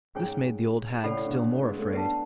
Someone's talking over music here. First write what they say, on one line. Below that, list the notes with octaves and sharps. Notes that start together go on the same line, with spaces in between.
This made the old hag still more afraid.
G#2 C#4 G#4 C#5 G#5
A2 C#3 A4 D5 F#5 B5
B2 D3
G#3 B3
A3 C#4
B3 D4 B4 F#5 A5